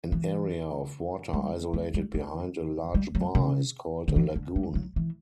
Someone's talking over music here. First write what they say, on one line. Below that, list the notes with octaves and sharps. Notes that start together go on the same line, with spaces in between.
An area of water isolated behind a large bar is called a lagoon.
E3
G3
A#3
G3
A#3
G3
F#3
C#3
D3
E3
D3
G3
F#3
E3